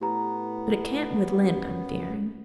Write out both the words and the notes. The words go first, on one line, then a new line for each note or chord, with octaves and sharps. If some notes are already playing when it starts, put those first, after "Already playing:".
But it can't with Lynde, I'm fearing.
A2 B3 G4 B4 A#5
F#2